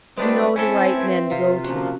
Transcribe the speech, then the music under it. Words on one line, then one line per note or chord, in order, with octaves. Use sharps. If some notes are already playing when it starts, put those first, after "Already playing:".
You know the right men to go to.
F#3 G#3 A3 C4 D4 B4 D5
C4 C#4 E4 A4 C5 G#5
B4 E5
C3 F4
A#2 F3 C#4 F#4